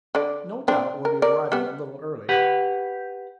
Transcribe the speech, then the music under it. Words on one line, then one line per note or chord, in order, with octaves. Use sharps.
No doubt we'll be arriving a little early.
D3 D5
C4 D4
A#4
A#4 D5
G3 B3
G4 B4 F#5